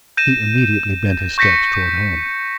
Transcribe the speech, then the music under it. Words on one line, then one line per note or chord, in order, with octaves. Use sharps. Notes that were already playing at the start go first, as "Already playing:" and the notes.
He immediately bent his steps toward home.
G6 A#6 D#7 E7
C#6 G6 A#6 B6 C#7